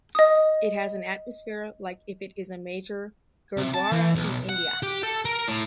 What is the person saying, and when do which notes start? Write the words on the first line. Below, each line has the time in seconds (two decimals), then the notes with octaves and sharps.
It has an atmosphere like if it is a major Gurdwara in India.
0.15 D#5 D#6
3.57 C3
3.74 A5
3.92 E3
4.16 B1
4.49 F#5
4.83 G4
5.03 A4
5.25 A#4
5.48 A2